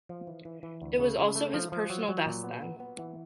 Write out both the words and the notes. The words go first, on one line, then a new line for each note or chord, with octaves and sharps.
It was also his personal best then.
F3
E3
E3
E3
D2
C#3
C#3
A3
F3
F3
F#3
F#3
A#2
B3
B3
B3
E3